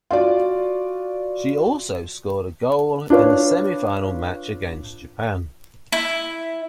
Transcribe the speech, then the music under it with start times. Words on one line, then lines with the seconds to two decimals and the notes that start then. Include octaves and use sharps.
She also scored a goal in the semifinal match against Japan.
0.11 F4 F#4 D5
3.10 D4 F4 B4 C#5
5.92 E4